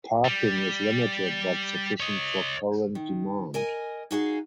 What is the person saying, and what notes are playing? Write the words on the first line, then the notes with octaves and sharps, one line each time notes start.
Parking is limited but sufficient for current demand.
G3
C#5 D#5
D#3
A#4 D#5 G#5
D#4 F#4 G#4 F5